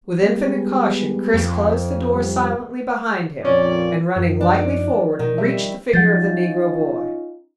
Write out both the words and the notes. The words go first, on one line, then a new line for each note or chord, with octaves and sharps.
With infinite caution Chris closed the door silently behind him, and running lightly forward, reached the figure of the Negro boy.
G3 G#3 B3
F2
G3
F2 A#2 C#4 D5
F#2 F3
D4
D#4
B2 D#3
G3 E5
F3 F#3 C#4 D#4 F4 F#5 G6 A6